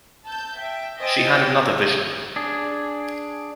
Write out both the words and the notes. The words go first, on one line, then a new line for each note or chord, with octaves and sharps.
She had another vision.
A5 E6 G6
E5 G5
C5 D#5 G5 G#5 E6 A6
D4 G#4